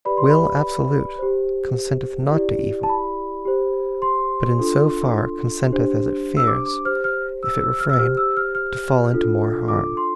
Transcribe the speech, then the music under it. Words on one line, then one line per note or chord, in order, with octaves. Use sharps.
Will absolute consenteth not to evil; But in so far consenteth as it fears, If it refrain, to fall into more harm.
G4 B4 D5 B5
C6
B5
G4 C5
E4 G4 D5
A5
B5
G4 C5
C6
D4 F4 A4
D4 G4 C5
E6
D6
D6
G4 C5 F6
F6
E6
E6
F6
E6
G4 C5 F6
E6
F6
F6
D4 F4 A4
D6
C6